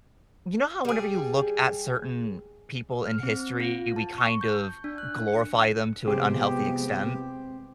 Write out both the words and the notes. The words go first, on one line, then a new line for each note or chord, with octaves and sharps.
You know how whenever you look at certain people in history, we kind of glorify them to an unhealthy extent?
G3 G#4
F6
C4
C4
F4
A5
C#6
G6
D4
F#6
C#7
C3 F3 G#3 B3 C4 G4 G#4